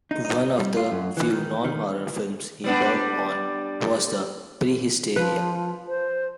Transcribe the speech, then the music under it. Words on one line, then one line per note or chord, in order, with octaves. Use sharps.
One of the few non-horror films he worked on was the Prehysteria!
D#4
D#4
G3
F4
F#2
E3
D#3
D#3
G3 B3 D4
F3 B4
C5